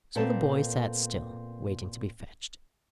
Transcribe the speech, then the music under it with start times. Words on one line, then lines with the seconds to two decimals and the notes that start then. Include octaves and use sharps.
So the boy sat still, waiting to be fetched.
0.15 A#2 B3 C4 A4 D5 A5